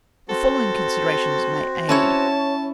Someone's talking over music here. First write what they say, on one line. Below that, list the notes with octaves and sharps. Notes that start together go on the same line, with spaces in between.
The following considerations may aid.
C4 F#4 A4
C#4 E4 C#5 A5